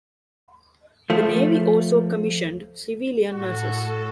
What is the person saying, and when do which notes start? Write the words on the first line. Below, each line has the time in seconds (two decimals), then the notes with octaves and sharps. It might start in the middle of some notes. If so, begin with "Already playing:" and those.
The Navy also commissioned civilian nurses.
1.10 F3 A3
3.32 A2 F#4 A4